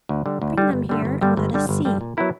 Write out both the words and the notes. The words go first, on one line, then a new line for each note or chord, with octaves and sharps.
Bring them here, and let us see.
D2
D3 G3
D2
D3 G3
G1
G2 D3 G3
G1
G2 D3 G3
G1
G2 D3 G3
G1
G2 D3 G3
A#2
F#3 B3 E4 A#4